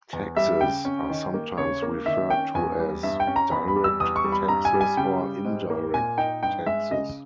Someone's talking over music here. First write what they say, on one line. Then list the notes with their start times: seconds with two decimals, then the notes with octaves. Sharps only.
Taxes are sometimes referred to as "direct taxes" or "indirect taxes".
0.13 E2
0.37 G3 E5
0.61 C#3 G5
0.85 C#4
1.10 D#3
1.34 A#3
1.58 C#3 C#5
1.82 A#3
2.06 D#3 E5
2.30 C#4 G5
2.55 E2 G#5
2.79 G3
3.03 G2 E5
3.20 G5
3.27 C#4
3.36 A#5
3.51 E2 B5
3.68 B5
3.76 G3
3.84 E6
4.00 E2 D#6
4.16 C#6
4.24 G3
4.32 B5
4.48 G2 A#5
4.65 G#5
4.73 G3
4.81 G#5
4.97 C#3 G5
5.21 G3
5.45 G#2
5.70 A#3
5.94 A#2 G#5
6.18 D#4 G5
6.43 G2 G5
6.66 G#3 E5
6.91 C#3 D#5